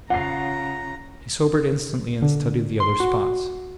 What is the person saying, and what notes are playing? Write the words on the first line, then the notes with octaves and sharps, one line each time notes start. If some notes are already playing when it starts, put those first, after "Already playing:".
He sobered instantly and studied the other spots.
C#3 F4 F#5 A#5 C7
D3
C6
F#4